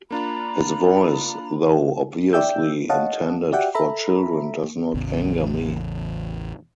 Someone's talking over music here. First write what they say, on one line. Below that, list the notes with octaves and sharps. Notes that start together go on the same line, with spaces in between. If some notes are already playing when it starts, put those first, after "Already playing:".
His voice, though obviously intended for children, does not anger me.
A#3 D4 F4 A#5 B5
D5 E5 G5 E6 G6
C#5 D#5 F5 F#5 A5
F#4 G4 D5 E5 F#5 G5
A4 E5 A#5 B5
A1 E2 C#3